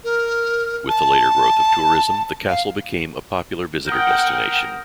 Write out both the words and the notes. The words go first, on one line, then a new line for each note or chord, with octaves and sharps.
With the later growth of tourism, the castle became a popular visitor destination.
A#4
A5
F5
A#4 F#5 G5 D#6 G6